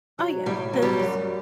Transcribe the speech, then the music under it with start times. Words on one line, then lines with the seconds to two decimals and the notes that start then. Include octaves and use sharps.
Oh, yeah, 'cause
0.19 F#3
0.46 A2 G3
0.73 F#3
0.82 G3
0.99 F#2